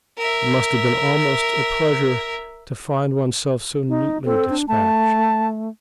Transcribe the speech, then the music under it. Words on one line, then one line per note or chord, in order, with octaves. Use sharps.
It must have been almost a pleasure to find oneself so neatly despatched!
A#4 E5
D#4
C4 A4
D4
A3 A5